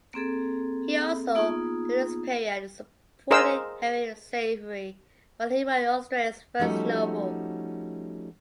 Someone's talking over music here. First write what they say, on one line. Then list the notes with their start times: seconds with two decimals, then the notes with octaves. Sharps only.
He also, during this period, supported Henry Savery while he wrote Australia's first novel.
0.14 A#3 C4 G#4 A4
1.35 A#3 B3 D#4 F4 G#4
3.31 G#4 A#4 C5 D#5 F5 E6
6.59 F3 G3 A3 C#4 D#4 F#4